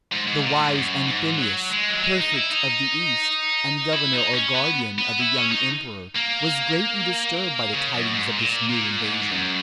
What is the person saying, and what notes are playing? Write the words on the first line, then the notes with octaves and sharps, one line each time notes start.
The wise Anthemius, prefect of the east, and governor or guardian of the young emperor, was greatly disturbed by the tidings of this new invasion.
G#2
G#2
A#2
G#2
F#2
G#2
F#3
G#3
F#3
G#3
D#4
E4
D#4
E4
D#4
C#4
B3
B3
E4
C#4
D#4
A#3
C#3
F#2
G#2
A#2
A#2
G#2
G#2
F#2